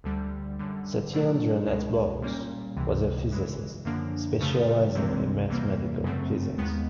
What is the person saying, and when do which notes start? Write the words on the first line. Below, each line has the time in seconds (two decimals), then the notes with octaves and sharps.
Satyendra Nath Bose was a physicist, specializing in mathematical physics.
0.04 D2 D3 G3
0.59 F#2 D3 G3
1.13 B2 F#3 A3 D4
1.67 C#2 B2 G#3
2.22 A#2 G3 A#3 C#4
2.76 C#2 C3 E3
3.31 C#3 E3 G#3
3.85 F#2 D3 F3 A#3 D4
4.40 F2 C#3 F3 A3
4.95 C#2 C3 E3 G#3 C4
5.48 E2 C3 E3 G3 A#3
6.03 F#2 C#3 F#3 A3 C4
6.58 D#2 D#3 G#3 B3